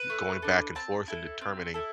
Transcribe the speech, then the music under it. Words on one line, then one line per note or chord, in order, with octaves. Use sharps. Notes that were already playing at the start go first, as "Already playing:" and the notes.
y going back and forth and determining
Already playing: B4
A3
D4 A4
C4 A5
E4 A4
C4
E4 A4